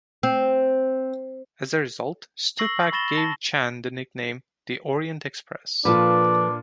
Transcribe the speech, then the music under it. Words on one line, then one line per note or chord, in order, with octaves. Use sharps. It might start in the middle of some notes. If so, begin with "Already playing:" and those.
As a result, Stupak gave Chan the nickname "The Orient Express".
C4
C#6 E6 A#6 C7 F#7
B5 C#6 A6 A#6 E7 G7
A5 A#6
A#2 F3 D4 F4 A4 B4